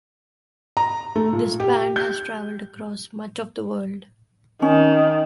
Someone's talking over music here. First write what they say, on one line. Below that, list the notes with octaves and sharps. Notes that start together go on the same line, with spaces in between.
This band has travelled across much of the world.
A#5
A3
A#2
G4
G6
D#3 C#4